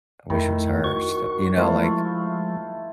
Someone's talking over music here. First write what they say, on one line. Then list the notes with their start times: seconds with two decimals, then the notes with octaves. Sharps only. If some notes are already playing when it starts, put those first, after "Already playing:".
I wish it was her still you know, like,
0.30 F2 D#3 A3 E4
0.84 F#4 C#6
1.58 F3 G#3 A3 E4 F4